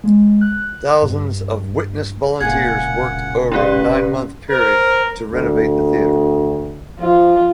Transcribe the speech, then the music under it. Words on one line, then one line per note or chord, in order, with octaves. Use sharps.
Thousands of Witness volunteers worked over a nine-month period to renovate the theater.
G#3
F#6
G2
E1 A#2 C#3 G#4 F#5 G#6
C#4 G4 B4 D5
A#4 C5
D2
F3 F4